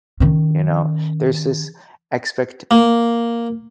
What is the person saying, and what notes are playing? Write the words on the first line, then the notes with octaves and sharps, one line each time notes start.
you know, there's this expect
D#3 C#4
A#3